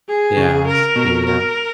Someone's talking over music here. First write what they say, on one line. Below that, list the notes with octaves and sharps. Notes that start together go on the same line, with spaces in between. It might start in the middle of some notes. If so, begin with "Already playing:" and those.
Yes, the, uh
G#4
C#3
A#4
B2
A#4